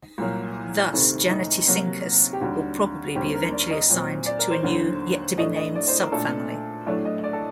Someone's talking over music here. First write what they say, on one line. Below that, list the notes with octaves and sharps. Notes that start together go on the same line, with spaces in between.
Thus, "Janetaescincus" will probably be eventually assigned to a new, yet-to-be-named subfamily.
C2 A#2 F#3 A#3
D2 C3 D#3 A3 C4
D#4
C3 F#3 A#3
G4
D#2 D3 G3 D4 F#4
D#2 D3 G3 C4 G4
A#4
D5
D#5
A#2 F#3 C4
D5
A#4
C5
D#2 D3 F#3
A2 A3 D4 D#5
D#5
D5
C5
A#4
A#2 A3 D4 A4
A2 F#3 A3 D4 D5
D#5
D5
A4